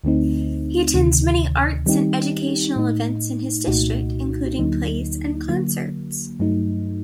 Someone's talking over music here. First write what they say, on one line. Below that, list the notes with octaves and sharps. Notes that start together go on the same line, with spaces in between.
He attends many arts and educational events in his district, including plays and concerts.
D2 D3 A3 C4 D#4
D2 C3 D#3
D#3 G3 C4 D#4 G4
A2 A3 D#4
C2 A#2 A3 D#4 F#4
D2 D3 F#3 A#3 D#4
D3 F#3 A#3
G2 F#3 A3 D#4